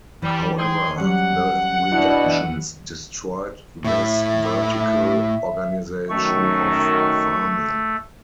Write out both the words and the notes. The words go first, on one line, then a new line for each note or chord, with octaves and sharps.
However, the reductions destroyed this 'vertical' organization of farming.
E3 G3
G#4 G5 C6
F#3 G3 C#4 F#5
B2 D4 E4
E3 B3
A2 E4 E5
F#2 D#3 A3 C#6